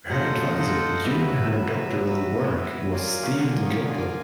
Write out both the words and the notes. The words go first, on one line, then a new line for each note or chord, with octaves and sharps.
Her advisor during her doctoral work was Steven Gobel.
F#3 F4 A4 C5 D#5 F#5
F4 A4 C5 D#5 F#5
G3 F#4 B4 E5
F#3
F#3 F#4 B4 E5
F#3
F3
F#3
F#3 F#4 B4 E5
G#3 F#4 B4 E5
F#3 F4 A#4 D5 F5 G#5
F#3
C#3
D3 F4 A#4 D5 F5 G#5
D#3
D3 F4 A#4 D5 F5 G#5
F3